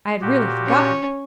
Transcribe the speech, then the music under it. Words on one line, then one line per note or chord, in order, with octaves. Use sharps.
I had really forgotten.
A#2 F#4 G4
C#4